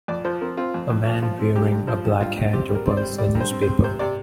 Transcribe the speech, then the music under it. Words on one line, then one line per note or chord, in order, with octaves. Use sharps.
A man wearing a black hat opens a newspaper.
F2 D5
F3 C5
C4 A#4
C4 F4
F2
F2
F3
F3 F4
C4
G2 G4
G2
F3 C5
G2
G2 F4
G2
C4 G4
G3
A#4
C4 D5
C5
G3
G3 D5
G2
C5
C4
C5
C4
C3 C5
C3 D5